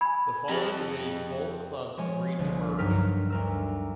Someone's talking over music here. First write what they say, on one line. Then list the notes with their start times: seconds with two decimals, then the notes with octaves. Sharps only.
The following week both clubs agreed to merge.
0.01 G#5 B5 G#6
0.50 F2 G4 G#4
1.97 F3 G#3 C#5 G#5
2.39 C2 D3 G#4
2.78 G2 F#3 D#4 A#4 F6 B6
3.30 D2 A#4 E6